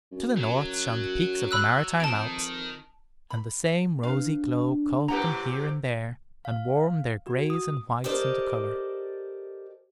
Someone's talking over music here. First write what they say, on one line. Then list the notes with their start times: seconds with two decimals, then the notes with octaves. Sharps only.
To the north shone the peaks of the maritime Alps, and the same rosy glow caught them here and there, and warmed their grays and whites into color.
0.12 F#2
0.37 F#3
1.51 B5 E6 F#6
2.00 F2 D#3 A5 D7
3.30 B5
4.03 D4 B4 F5
5.08 A2 C3 G4 B4 F#5 A#5
6.45 F5
7.27 F#4
7.50 D#6
8.04 G4 A4 A#4 C5 D5 D#5